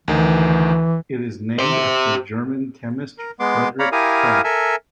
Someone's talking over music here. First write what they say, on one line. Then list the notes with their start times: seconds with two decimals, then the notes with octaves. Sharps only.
It is named after German chemist Friedrich Krafft.
0.08 D2 D#3 E3
1.59 G4 C5
3.18 A#4
3.40 G#3 B3 C6 D6
3.79 C#5 D5 F5 A#5 B5
3.92 E4 G4 A#4 F5 G#5 D#6
4.44 A4 A#4 E5 G#5